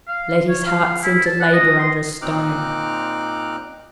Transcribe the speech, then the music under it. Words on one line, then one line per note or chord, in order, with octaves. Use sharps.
Letty's heart seemed to labor under a stone.
F5
C#5
F5
E4
A5
F#5
D#5
C6
A#2 C4 D#4 D6 F6 F#6